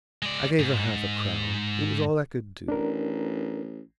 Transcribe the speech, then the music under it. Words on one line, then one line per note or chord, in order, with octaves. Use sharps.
I gave her half-a-crown; it was all I could do.
G#3 D5
G#2
A1 D4 A#4